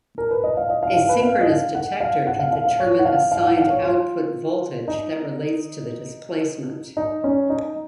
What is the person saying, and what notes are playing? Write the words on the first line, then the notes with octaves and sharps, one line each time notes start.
A synchronous detector can determine a signed output voltage that relates to the displacement.
A#4
B4
D#5
F5
D#5
F5
F5
B4
F5
D#5
F5
F#5
F5
F#5
F5
F5
F5
C#5
F#5
F5
F5
F#5
F5
C#5
F4
D#4
D#4
C#4
D#4